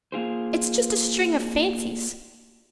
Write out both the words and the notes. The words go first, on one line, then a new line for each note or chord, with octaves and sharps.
It's just a string of fancies.
A#3 F4 G#4 C5